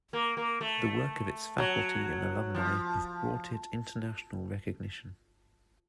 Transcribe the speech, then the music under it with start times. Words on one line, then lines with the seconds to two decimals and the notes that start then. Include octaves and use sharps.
The work of its faculty and alumni have brought it international recognition.
0.13 A#3
0.37 A#3
0.61 A3
1.58 F#3
2.55 F3